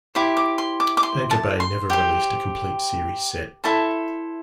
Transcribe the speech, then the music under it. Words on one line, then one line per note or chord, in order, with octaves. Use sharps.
Anchor Bay never released a complete series set.
E4 G4 C5 D6
D6
C6
D6
D6
C6
A5
C6
G4 C5 G5
E4 A4 C5 A5